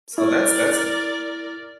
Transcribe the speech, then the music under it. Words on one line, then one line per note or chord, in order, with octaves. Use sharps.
so that's that's
E4 A#4 D5